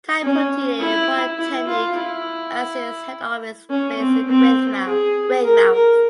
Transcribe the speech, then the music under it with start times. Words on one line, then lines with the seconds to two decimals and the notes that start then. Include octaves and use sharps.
Tai Poutini Polytechnic has its head office based in Greymouth.
0.23 C#4
0.79 E4
1.38 E4
1.67 F4
1.96 E4
3.70 C#4
3.99 C4
4.28 C4
4.85 G#4
5.44 A#4
5.73 A#4